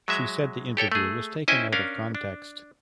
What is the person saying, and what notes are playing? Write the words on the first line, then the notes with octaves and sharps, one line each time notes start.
She said the interview was taken out of context.
F#3 G#3 E5
G4 A4 C#5 G5
A3 G#4
C#4 E4 C5 D#5 G5 G#5
C#4 D4 A#4 F5
D4